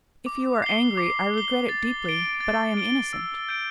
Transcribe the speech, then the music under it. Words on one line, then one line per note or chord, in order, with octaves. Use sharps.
"If you are angry, I regret it deeply, but I am innocent."
D6
C7 G7
D6
C7 G7
A6
D7 G7
A6
D7 G7
E6
G6 D7